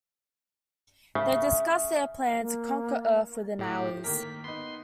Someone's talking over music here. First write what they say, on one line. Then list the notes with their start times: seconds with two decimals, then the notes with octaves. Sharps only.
They discuss their plan to conquer Earth within hours.
1.15 C#3 E5
2.39 A#3
3.59 A2 G4
4.04 D#3 A#3 A#4 B6
4.44 B3 D#4 C6